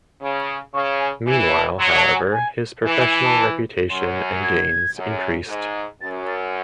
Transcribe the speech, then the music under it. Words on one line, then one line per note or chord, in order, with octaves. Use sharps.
Meanwhile, however, his professional reputation and gains increased.
C#3
C#3 C#6
G#5
E3 G#5
A5
F#3 C6
A5
G#5
G#5
E3 G#5
G#5
G#5
A5
F#2 C6
G#6
F#2
G#2
F#2 A6
A6